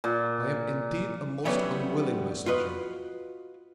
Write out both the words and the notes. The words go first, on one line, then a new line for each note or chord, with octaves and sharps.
I am indeed a most unwilling messenger.
A#2
E3 F#3 G3 A3 B3 C#4
F4 F#4 B4 D#5